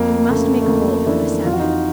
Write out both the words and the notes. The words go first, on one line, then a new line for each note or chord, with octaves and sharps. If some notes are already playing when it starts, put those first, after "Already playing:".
We must make a bolt for the Psammead.
Already playing: F2 A#3
C#3 A3
A3
F2 A#3
E3 D4 E4
F2 F4
F#4
D#4 F4